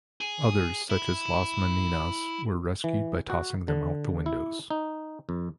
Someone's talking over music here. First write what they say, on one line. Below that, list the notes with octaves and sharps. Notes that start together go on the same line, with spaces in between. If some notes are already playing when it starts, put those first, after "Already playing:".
Others, such as "Las Meninas", were rescued by tossing them out the windows.
G#4
E4
E3
F#4
D3
E4
D#4
F2